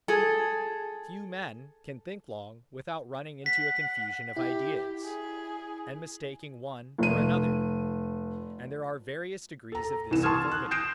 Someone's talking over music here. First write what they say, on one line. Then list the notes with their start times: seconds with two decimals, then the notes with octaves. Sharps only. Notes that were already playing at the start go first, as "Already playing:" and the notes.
Few men can think long without running into a confusion of ideas, and mistaking one for another; and there are various degrees of this infirmity.
0.08 G#4 A4
3.46 F#5 B6
4.36 E4 G4
5.04 G#4
6.98 F1 D#7
9.72 A4 A#5
10.11 C2 E3 E7
10.23 A5 C6 C#6 D#6 F6 G#6
10.51 F#6
10.71 D#6 G6 A#6 C7 D7 E7